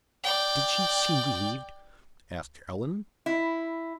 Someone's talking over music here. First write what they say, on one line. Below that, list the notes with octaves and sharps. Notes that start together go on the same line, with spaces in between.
"Did she seem relieved?" asked Allan.
D5 G5
E4